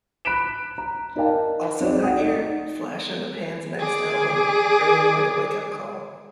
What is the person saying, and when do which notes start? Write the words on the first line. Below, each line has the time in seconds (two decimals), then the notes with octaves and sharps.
Also that year, Flash and the Pan's next album, "Early Morning Wake Up Call".
0.25 B5 F#6 B6 D7 E7
0.78 A#5
1.16 D#4 A#4 D5 F5 G5 A5
1.80 C4 D#4 F#4 G#4 D5
2.02 D5 F#5 G5 D#6
2.19 D#4 D5
3.79 G#4 D5